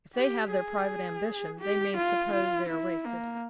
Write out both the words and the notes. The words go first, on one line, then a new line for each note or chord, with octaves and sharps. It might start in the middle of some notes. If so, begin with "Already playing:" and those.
If they have their private ambition, they may suppose they are wasted.
G4
G#4
G4
F4
F4
E4
A#3